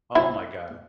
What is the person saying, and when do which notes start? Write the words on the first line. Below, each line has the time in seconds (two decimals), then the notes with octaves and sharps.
Oh my god.
0.16 E4